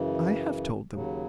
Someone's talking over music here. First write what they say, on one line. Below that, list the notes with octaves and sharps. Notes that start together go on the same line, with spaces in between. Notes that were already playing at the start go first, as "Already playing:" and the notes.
"I have told them."
Already playing: F#2 C#3 E3
D#2 C#3 F#3